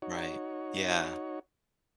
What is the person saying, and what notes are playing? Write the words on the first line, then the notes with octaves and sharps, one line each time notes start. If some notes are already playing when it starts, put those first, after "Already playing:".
Right. Yeah.
D#4 F#4 C#5